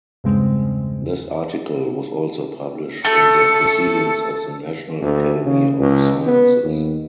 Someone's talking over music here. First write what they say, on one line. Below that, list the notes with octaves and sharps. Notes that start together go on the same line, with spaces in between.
This article was also published in the Proceedings of the National Academy of Sciences.
E2 G2 C#3 G#3 C4
A3 A4 C#7
D2
C#3
C#2
B3
D#2